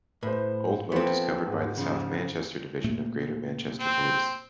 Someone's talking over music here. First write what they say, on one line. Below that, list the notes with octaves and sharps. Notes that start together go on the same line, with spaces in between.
Old Moat is covered by the South Manchester Division of Greater Manchester Police.
A2 B4 C5
F3 B3 C4 A4 C5
G#2
C#3 F3
A#2 A3
C4